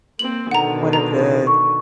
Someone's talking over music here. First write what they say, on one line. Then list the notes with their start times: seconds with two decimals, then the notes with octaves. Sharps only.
one of the,
0.19 A#3 C4 F#7
0.51 B2 D3 D#3 F#5 A#5
0.93 A#5
1.47 C#6